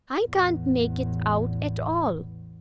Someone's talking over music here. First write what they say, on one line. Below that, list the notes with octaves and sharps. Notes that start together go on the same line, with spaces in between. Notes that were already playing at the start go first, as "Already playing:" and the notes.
I can't make it out at all.
A1 E2